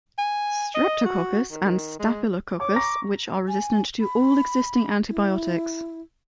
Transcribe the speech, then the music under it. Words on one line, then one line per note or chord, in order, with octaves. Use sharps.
Streptococcus and Staphylococcus which are resistant to all existing antibiotics.
G#5
D#5
F#4
D#3
D#3
G#3
C#5 D6
A#5 C#6 A#6
G#5
B5
E4